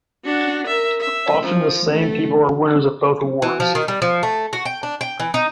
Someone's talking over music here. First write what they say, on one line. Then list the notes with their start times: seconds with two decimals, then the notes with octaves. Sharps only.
Often the same people are winners of both awards.
0.24 D4 F#4
0.67 A#4 E5
1.01 E5
1.43 F3
1.91 A3
3.42 E3
3.60 F3
3.75 D#3
3.88 G3
4.02 F3
4.23 A3
4.53 F#4
4.65 G5
4.83 D4
5.01 G5
5.20 E3
5.34 D#4